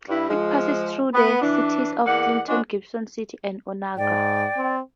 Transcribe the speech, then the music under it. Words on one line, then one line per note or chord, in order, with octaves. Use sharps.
It passes through the cities of Clinton, Gibson City, and Onarga.
G2 E4
F3 G#3
B3
E3 D4
E2 A#3 D5 F#5
F3 F#3 G#3 D4
G#2 D5 G5
C4